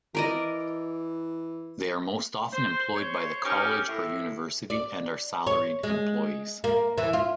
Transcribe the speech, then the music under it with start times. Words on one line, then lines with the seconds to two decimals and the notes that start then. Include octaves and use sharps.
They are most often employed by the college or university and are salaried employees.
0.15 E3 A#4 D5 D#5
2.53 C5
2.96 C5 C#5
3.45 C#4 D#4 G4 A#4
3.88 A2
4.70 D5
5.47 C#5
5.83 G#3
6.64 A#3
6.98 E3
7.13 F4